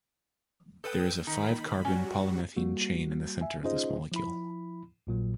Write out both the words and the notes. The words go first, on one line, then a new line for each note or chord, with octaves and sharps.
There is a five carbon poly-methine chain in the center of this molecule.
A4 B4 G5 D#6 E6 G6
D#3 D#4 B5
F#3 G3 C#4 F#4
G3 A#3 F#4
E5 G#5
C#4 D#4 F4 G#4 C5 D#5
F3 E4 B5
A#1 A#2 F#3